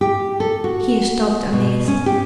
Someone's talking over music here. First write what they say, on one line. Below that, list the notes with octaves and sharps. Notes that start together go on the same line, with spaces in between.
He stopped amazed.
G4
A4
F#4
B2
C#4
G4